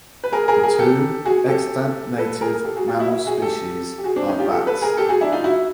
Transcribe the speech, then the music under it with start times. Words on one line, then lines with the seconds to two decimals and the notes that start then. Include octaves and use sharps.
The two extant native mammal species are bats.
0.24 B4
0.32 G#4 A#4
0.48 G#4 A#4
0.63 G#4 A#4
0.79 G4 A4
1.25 F#4 G#4
1.48 G4 A4
2.18 A4 B4
2.41 G#4 A#4
2.65 G4 A4
2.77 F#4 G#4
2.88 F4 G4
2.99 E4 F#4
3.11 E4 F#4
3.27 F#4 G#4
3.42 G4 A4
3.98 G4
4.04 F#4 G#4
4.16 C4 D4
4.28 C#4 D#4
4.39 F4 G4
4.51 G4 A4
4.66 A4 B4
4.82 G#4 A#4
4.97 G4 A4
5.09 F#4 G#4
5.21 D4 E4
5.32 D#4 F4
5.44 E4 F#4